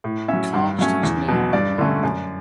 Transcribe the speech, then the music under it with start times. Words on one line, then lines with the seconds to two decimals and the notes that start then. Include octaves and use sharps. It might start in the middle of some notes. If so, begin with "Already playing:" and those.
The cast is now unknown.
0.04 A2
0.28 F#3 C#4 E5
0.54 G2
0.79 F#3 A3 C#4
1.03 E2
1.28 B2 F#3
1.53 G2 D5
1.78 D3 A3 C#4
2.03 F#2